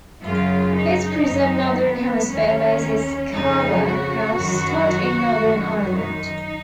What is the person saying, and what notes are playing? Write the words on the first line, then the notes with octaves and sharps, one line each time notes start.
His present Northern Hemisphere base is Scarvagh House Stud in Northern Ireland.
F#2 C#3 F4
D#4
F#2 D#3
B3
D#2 D#3 C#4
F2 C#3 D#4
F#4
F#2 D#3
F#2 D#3
D#4